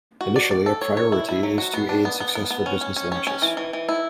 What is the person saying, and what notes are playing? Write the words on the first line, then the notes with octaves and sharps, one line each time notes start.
Initially, a priority is to aid successful business launches.
F#4
D5
D5
A4
C#5
C#5
E4
E4
F#3
F#4
B3
D4
B3
B3
B3
B3
C#4
C#4
C#4
C#4
C#4
E3
E3
E3
E4